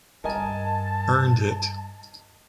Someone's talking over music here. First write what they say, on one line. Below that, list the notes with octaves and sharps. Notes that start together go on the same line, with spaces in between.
Earned it!
G2 A#4 D#5 G#5 A5